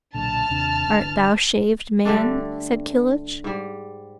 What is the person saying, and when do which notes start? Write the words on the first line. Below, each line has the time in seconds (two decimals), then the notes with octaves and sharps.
"Art thou shaved man?" said Kilhuch.
0.15 B1 A#2 D3 A5 F6
0.50 D#2 C3 D4
0.87 G1 D3 E3
2.05 D3 G3 A3 D4
3.44 G#2 G3